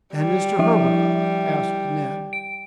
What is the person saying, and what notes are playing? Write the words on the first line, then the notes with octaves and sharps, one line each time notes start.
"And Mr. Herbert?" asked Neb.
G3
F3 E4 E5
D7